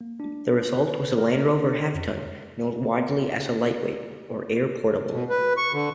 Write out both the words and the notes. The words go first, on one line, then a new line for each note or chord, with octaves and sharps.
The result was the Land Rover Half-Ton, known widely as the "Lightweight" or "Airportable".
A#3
D4
B4
A#4
D4
F2
B2
B4
C#6
D3